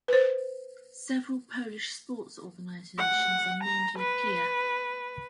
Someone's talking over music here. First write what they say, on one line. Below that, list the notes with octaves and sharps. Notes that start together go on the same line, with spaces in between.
Several Polish sports organizations are named Lechia.
B4 C5
F#5
A#5
B4